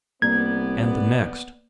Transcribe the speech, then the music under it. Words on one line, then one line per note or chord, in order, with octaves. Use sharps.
And the next?
C2 A#3 B3 D5 G#6